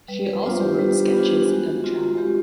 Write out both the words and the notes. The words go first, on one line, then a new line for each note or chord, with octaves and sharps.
She also wrote sketches of travel.
G3 B4
B4
B3 D4 F4 C5
G4
G3 G4
G4
B3 D4 F4 G4
G#4
G4
G#3 F#4
C4 F4
G#3 G4